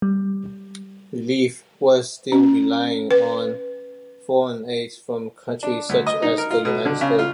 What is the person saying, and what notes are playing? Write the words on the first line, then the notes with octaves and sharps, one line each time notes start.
Relief was still relying on foreign aid from countries such as the United States.
G3
C#4
B4
D4
D2
D#5
D#4
A#4
F4
B2
D3
C#3
F4